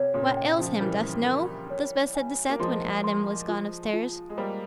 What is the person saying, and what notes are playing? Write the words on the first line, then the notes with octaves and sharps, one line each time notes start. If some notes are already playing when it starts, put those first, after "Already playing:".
"What ails him, dost know?" Lisbeth said to Seth, when Adam was gone upstairs.
Already playing: C3 C#5
A#2 C#3
G5
C#3 F3
E3 G3 A#4
A#4
C#5
G#5
A#3
F3 G#3 C6
C6
F4
F4
G#3
G3 A#3 C5